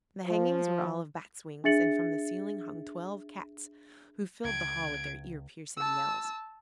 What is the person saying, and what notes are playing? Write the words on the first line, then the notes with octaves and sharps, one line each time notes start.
The hangings were all of bats' wings, and from the ceiling hung twelve cats, who filled the hall with their ear piercing yells.
F3
D4 G#4 E5 A6 C#7 F#7
C#2 G#6 D7
A5 E6